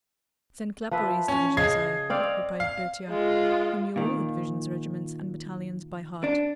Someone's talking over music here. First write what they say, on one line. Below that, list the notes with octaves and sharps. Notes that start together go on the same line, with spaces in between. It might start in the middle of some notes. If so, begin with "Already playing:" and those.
"Send Claparede's division, sire," replied Berthier, who knew all the division's regiments, and battalions by heart.
F3 B4 E5
C#4
C#3 D#5 G#6 C7
C4 D5 F5
F5
G#3 F4
A#2 D#3
D4